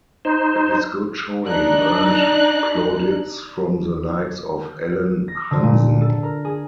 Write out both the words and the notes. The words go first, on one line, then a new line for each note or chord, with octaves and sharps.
His good showing earned plaudits from the likes of Alan Hansen.
D#4 C5
D4 D#4 F#6
A#6
D3
A#2
A4
A#4
G#4